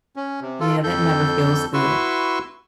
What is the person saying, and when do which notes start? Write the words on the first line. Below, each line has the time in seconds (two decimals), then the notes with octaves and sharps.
Yeah, that never feels good.
0.16 C#4
0.42 C3
0.60 F4 A4
0.83 F2 A4 G6
1.74 E4 F#4 B4 C6 C#6 E6